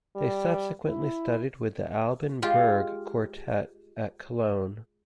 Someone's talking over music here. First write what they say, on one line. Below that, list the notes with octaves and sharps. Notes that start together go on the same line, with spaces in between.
They subsequently studied with the Alban Berg Quartet at Cologne.
G3
E4
G#3 F4 G4